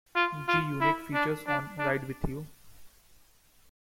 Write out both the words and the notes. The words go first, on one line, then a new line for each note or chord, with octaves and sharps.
G-Unit features on "Ride Wit U".
F4
F4
E4
D4
D4
D4